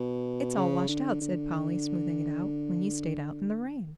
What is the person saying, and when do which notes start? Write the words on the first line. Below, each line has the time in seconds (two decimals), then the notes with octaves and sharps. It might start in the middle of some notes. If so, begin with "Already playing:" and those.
"It's all washed out," said Polly, smoothing it out, "when you staid out in the rain."
Already playing: B2
0.57 C#3
0.89 D3
1.21 D3